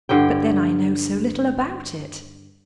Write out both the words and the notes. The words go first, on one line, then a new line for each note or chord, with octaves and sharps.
But then I know so little about it.
G2 D3 E4 G5